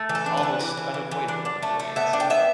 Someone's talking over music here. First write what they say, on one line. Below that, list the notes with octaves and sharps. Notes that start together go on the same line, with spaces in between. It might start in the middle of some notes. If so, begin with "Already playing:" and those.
almost unavoidable in a way, so
Already playing: A3
E3
A4
D4
B4
E3
E3
E3
E3
E3
D4
D4
A3
A3
B3 E5
D4
G5
B3 E5